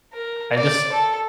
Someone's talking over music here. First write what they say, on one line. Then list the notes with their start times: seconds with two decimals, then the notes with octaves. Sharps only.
I just
0.13 A#4
0.56 D5
0.93 A4